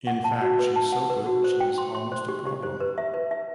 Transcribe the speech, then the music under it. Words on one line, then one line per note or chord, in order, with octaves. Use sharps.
In fact, she's so good she's almost a problem.
F#5
A5
F#4
B4
A5
F#5
B4
F#4
C5
G5
C6
C6
C5
G4
G4
C5
B4
E5
B4
E5